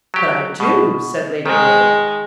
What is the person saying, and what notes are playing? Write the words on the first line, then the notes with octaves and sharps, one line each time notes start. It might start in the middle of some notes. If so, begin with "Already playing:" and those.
"But I do," said Lady Hibbert.
F#3 G4
B2
D#3 G#3